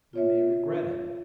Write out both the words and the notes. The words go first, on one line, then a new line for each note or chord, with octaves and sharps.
We may regret it.
F4 C#5 E5